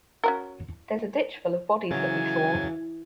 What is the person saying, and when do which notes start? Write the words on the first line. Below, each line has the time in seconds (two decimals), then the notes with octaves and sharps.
There's a ditch full of bodies that we saw.
0.24 C#4 F#4 A#4
1.91 C#3 E3 F#3 G#5 A6